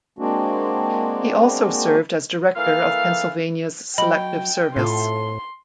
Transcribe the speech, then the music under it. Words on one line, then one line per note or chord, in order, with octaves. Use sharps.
He also served as director of Pennsylvania’s Selective Service.
G#3 A#3 C4 D4 F#4
E3 A#3 A4 F5
F#3 D#5 G5 B5 F#7
A2 C4 F4 A4 C6